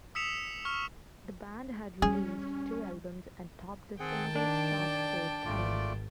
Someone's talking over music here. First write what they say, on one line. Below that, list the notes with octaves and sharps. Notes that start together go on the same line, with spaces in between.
The band had released two albums and topped the singles chart four times.
D#6 E6 B6 C#7 E7 F7
C#6 F6
G3 C#4 G#4
D#3 C4 G#4 F#5 G5 A5
D4 D5
G#1 A3 F4 D5